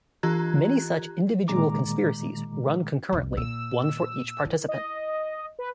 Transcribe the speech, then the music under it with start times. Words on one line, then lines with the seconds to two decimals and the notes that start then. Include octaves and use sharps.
Many such individual "conspiracies" run concurrently, one for each participant.
0.23 E3 F4 G4 A#5 F#6 G#6
1.48 A#2 D#3 G#3 A#5 D6
3.13 C2 F2
3.37 A#2 E6
4.45 E4
4.68 D#5
5.59 B4